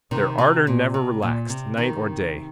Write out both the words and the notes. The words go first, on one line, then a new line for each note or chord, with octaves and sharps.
But their ardor never relaxed, night or day.
C3 D#3
C3
A#2
C3
A#2
C3
C3 D#3